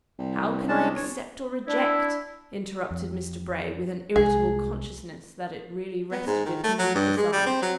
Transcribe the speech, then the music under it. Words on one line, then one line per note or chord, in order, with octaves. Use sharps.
'How can I accept or reject,' interrupted Mr Bray, with an irritable consciousness that it really rested with him to decide.
C2
G#3 D4 A5
G1 C#5
D4 E4
F2
C2 G#3 G#4
B3
G#2
D#3
A3
F#3
G2
G#3
G3
C4
F#3